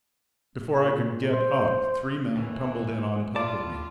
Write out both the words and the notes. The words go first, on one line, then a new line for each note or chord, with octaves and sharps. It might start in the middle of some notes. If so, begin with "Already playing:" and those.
Before I could get up three men tumbled in on top of me.
A#2
C5
D#2 A2 E3
A2 F4 D5 A5